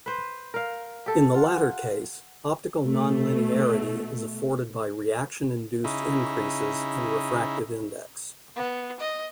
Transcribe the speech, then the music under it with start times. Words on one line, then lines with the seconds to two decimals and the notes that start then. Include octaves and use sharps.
In the latter case, optical nonlinearity is afforded by reaction-induced increases in refractive index.
0.06 B4 C5
0.54 A#4 F5
1.06 G4 A4 A5
1.34 F4 F#5
2.84 B2 A3
5.84 C#3 D#4 E4
8.56 B3
9.00 D#5